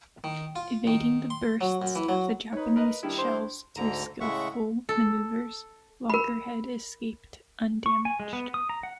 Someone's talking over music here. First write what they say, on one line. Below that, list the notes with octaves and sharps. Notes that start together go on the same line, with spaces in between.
Evading the bursts of the Japanese shells through skillful maneuvers, "Loggerhead" escaped undamaged.
D#3
F4
D#3
C6
F#3
F#2
E3
F#3
D#4 B4 C#5
A#4 B4 D#5
D#3 G3 D4 E4
D4 C5
D2 G#2 D3 A#5
A2 C#3 G#3 E5 F#5 C#6
A4
A#4 B5
C#6
G#5
G#3
B3
D#6
A#5
F#5